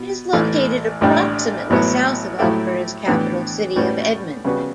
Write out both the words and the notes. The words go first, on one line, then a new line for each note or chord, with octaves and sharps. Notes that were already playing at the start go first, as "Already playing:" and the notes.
It is located approximately south of Alberta's capital city of Edmonton.
Already playing: B2
A1 A2 E3 A3
A1 A2 G3 D4 G4
A1 A2 F#3 B3 E4
A2 F#3 A3 E4 G4
A2 E3 B3 D4 G4
A2 G3 C#4 F#4 B4
C#3 G3 B3 F#4 B4